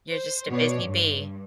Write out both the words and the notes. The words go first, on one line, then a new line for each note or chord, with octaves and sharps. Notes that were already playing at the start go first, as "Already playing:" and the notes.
You're just a busy bee.
C5
B2 C#5 D5
G2